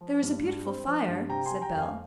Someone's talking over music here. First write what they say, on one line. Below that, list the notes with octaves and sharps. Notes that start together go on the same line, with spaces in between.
"There's a beautiful fire," said Bell.
F3
G2
G2
C4
F3
G2
C3 G5 A#5
G#5 C6
G3
G5 A#5
F2
F5 G#5